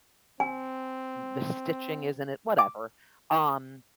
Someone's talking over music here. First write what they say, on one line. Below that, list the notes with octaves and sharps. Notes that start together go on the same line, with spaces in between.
the stitching isn't it whatever, um,
C4 G#5
D6